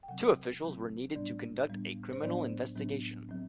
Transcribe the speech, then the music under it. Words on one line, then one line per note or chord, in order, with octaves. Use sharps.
Two officials were needed to conduct a criminal investigation.
G5
C3 F#3 C4 F#5
C3 F#3 C4
A2 G3 B3 D4 D5
A2 G3 B3 D4
C5
A2 F#3 B3 D4 D5
A2 F#3 B3 D4
F#3 C4